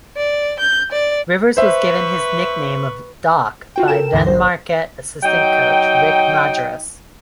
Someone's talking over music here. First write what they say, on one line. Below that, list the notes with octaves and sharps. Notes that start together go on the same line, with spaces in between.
Rivers was given his nickname of "Doc" by then-Marquette assistant coach Rick Majerus.
D5
G6
D5
B4 C5 E5 C#6
F4 F#4 G5
A4 A#4 G5 E7
D#2 G#2 D3 E3 A#6
A#1 C5
F#3 D#4 G5